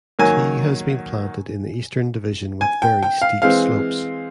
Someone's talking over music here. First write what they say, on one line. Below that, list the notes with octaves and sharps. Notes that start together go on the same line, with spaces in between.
Tea has been planted in the Eastern Division with very steep slopes.
D#3 F#3 A#3 G#5
G#5
G5
G5
F5
E3 G#3 C4 F5